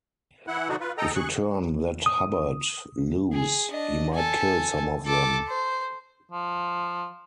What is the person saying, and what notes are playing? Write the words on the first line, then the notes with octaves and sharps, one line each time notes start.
If you turn that Hubbard loose, he might kill some of them.
E3 E4 F#5
B2 D3 F3 D4 D#4 F#4
F4 B4
A4 D#5 G5 A#5
G#4 C#6 F#6
D#6
G#4
D4 D#5
A4 G#5
A4 D6
C5
F3